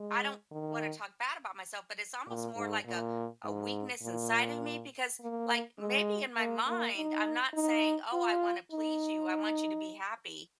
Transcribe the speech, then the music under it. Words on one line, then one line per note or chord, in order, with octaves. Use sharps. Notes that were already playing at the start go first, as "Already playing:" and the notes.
I don't wanna talk bad about myself, but it's almost more like a a weakness inside of me because, like, maybe in my mind, I'm not saying, "Oh, I wanna please you. I want you to be happy,"
Already playing: G#3
D#3
A#2
G#2
A#2
G#2
A#2
A#3
G#3
A#3
A#3
D#4
D#4
F4
D#4